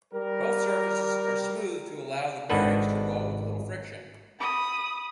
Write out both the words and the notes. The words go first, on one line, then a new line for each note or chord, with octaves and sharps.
Both surfaces are smooth to allow the bearings to roll with little friction.
G3 A#4
G#1 D#3 D4 A4 B4 F#5
B5 D#6